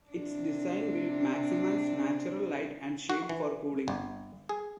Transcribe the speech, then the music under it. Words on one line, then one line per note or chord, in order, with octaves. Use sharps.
Its design will maximize natural light and shade for cooling.
C3 D4
F#4
E3
G1
G#4